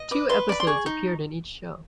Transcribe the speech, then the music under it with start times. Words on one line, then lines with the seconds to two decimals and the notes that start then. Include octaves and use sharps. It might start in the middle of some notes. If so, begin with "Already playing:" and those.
Two episodes appeared in each show.
Already playing: D#5
0.11 B4 D6
0.29 B4 C6
0.49 D5 B5
0.60 C6
0.67 G#4 C#6
0.86 D#4